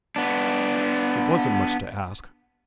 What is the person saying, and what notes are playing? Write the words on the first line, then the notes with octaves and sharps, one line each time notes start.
It wasn't much to ask.
B3 D4